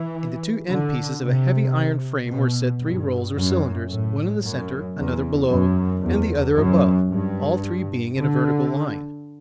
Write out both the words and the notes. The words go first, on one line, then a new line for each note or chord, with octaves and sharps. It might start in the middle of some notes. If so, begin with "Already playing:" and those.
In the two end pieces of a heavy iron frame were set three rolls, or cylinders--one in the centre, another below, and the other above--all three being in a vertical line.
Already playing: E3
D3
C3
B2
G2
F#2
A2
F#2
E2
F#2
E2
F#2
G2
D3